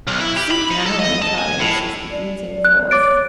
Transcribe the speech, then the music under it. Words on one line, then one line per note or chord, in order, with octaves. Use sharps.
"Sit down!" Charlie insisted, using force.
B1
E4
G4
B5
D#4
A4
D#5
A5
G#5
A2
D5
F#6
C#5 D6 A6 D7